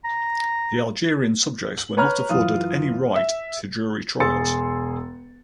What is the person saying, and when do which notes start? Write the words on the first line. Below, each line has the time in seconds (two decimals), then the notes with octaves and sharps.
The Algerian "subjects" were not afforded any right to jury trials.
0.04 A#5
1.78 F#7
1.97 B4 C#5 A#5 F6
2.29 F#2 E3 F4 D#6
3.16 E5
4.20 E1 G#4 C6 E6 A6 C#7